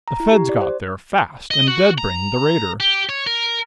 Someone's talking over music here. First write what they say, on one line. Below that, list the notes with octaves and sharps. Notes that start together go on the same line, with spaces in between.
The Feds got there, fast, and dead-brained the raider.
A#5
E4
G4
D5
C5
D#5
F#4
A#5
G4
C#5
A#4